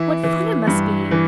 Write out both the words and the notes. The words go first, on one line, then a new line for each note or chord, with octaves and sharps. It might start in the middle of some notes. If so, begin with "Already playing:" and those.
"What fun it must be!"
Already playing: E3 E4
E3
G2
E3